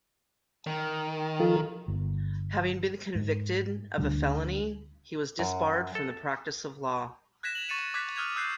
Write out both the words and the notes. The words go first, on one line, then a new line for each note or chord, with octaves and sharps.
Having been convicted of a felony, he was disbarred from the practice of law.
D#3
F3 F4 A4
G1
G#2
D2 D3 G3
F#2
A4
F#6 G#6 A#6 B6 E7
F7 F#7
C#6 A6 C#7 D#7 E7
D6 F#6 G#6 B6
D#6 F6 F#6 G#6 F7
E6 F#6 G6 C7